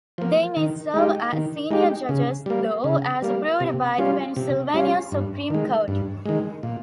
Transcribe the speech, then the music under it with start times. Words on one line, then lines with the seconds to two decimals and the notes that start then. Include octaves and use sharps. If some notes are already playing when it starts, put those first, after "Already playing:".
They may serve as Senior Judges though, as approved by the Pennsylvania Supreme Court.
0.18 F3 A#3
0.57 D#3
0.94 G#3 D#4 G4
1.33 D#3
1.70 G#3 D#4 G4
2.09 C#3
2.46 G3 A#3
2.84 C#3
3.22 G3 A#3
3.60 C3
3.98 G3 C#4 F4
4.36 C3
4.74 G3 C#4 F4
5.12 G2
5.50 D#3 G#3
5.88 G2
6.26 D#3 G#3
6.63 A#2